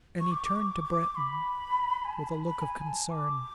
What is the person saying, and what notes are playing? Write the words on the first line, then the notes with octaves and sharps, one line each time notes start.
And he turned to Breton with a look of concern.
C#6
D6
D6
C#6
D6
D6
D6
B5
G#5
A5
B5
B5
G#5
A5
D6